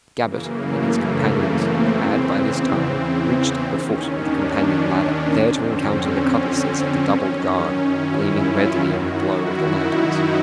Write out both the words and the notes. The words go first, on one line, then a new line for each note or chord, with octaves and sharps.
Gabbett and his companions had by this time reached the foot of the companion ladder, there to encounter the cutlasses of the doubled guard gleaming redly in the glow of the lanterns.
F#2 C#3 E3 A#3
A3
A#3
C4
E2 C#3 E3
D#2 D#3 C#4
D4
C#4
C#4
F2 D3 C4
C#4
C#4
F#2 D#3
E4
F4
F#2 D#3 F#4
F#4
E4
D#4